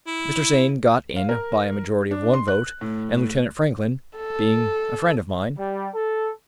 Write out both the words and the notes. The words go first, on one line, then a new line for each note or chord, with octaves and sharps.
Mr. Sain got in by a majority of one vote, and Lieutenant Franklin, being a friend of mine.
E4
F5
A#4
D4
C6
F#6
A2
A4
G3
A4